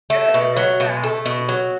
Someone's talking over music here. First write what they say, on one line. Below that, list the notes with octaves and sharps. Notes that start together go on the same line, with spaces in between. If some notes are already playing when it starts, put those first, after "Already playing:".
good in this house."
A3
B2
F#3
B2
A3
B2
F#3